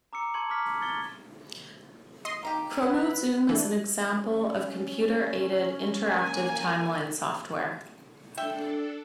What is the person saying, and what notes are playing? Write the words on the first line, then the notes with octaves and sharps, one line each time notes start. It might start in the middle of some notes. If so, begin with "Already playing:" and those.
ChronoZoom is an example of computer aided interactive timeline software.
A#5 D6 E6 C#7
A5 C6 C#6 G#6 C#7 F#7
A#5 D6 D#6 F6 B6
G#6 A6 C#7 G7
D#5 C6
A#3 D#4 G4
C#4 B4 F#5
E3 D4
C#4
A#3 G#5
D4 A4 E5 G5